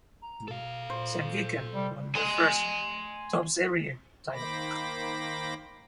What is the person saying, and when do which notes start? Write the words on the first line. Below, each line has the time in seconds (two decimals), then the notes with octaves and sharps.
Sandviken won their first Toppserien title.
0.22 A#5
0.48 B2 A4 F5
0.90 A#2 C5
1.73 C3 G3
2.15 G#5 C6
4.33 D#3 A#3 C5 B5 D6 A#6